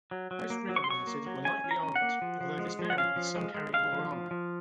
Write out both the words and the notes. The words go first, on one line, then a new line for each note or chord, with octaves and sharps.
Most river monitors were lightly armored although this varied, with some carrying more armor.
F#3
F#3
A#3
F#3
C#6
C6
F#3 C#6
A#3
F#3
C#4 G#5
C#4
A#5
C#4
F#5
A#3
F3
F3
G#3
F3
F#5
C#4 F5
F3
G#3
G#3
G#3 F5
F3
F3
F3